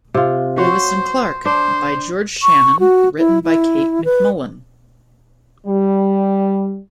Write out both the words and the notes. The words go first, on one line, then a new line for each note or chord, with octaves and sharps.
Lewis and Clark, by George Shannon written by Kate McMullan.
C3 F4
F#4 C5 C#5
D4 C5
C#6
F#4
E4
E4
B4
G3